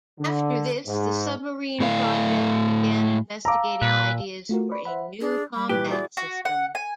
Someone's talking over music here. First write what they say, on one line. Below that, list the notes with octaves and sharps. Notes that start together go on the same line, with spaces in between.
After this, the submarine project began investigating ideas for a new combat system.
D3
G#2
A2 A3 E4 F5
F5 A5 A#5 D6 E6
A#2 B4
A3 F4 F#4 A#4
B4 D5 B5 C#6
C5 E5 F#5 B5
D4 G#4
G3 B5
A#1 E3 G4 B4
E4 F#4 G#4 D5
F#4
F#5
G#5